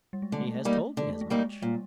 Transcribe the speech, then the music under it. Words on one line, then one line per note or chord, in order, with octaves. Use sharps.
"She has told me as much."
G3
G#3
D3 A3
G3 A#3 D#4
D3 G#3
A3
G#3
G3 A#3 D#4
A#2 G3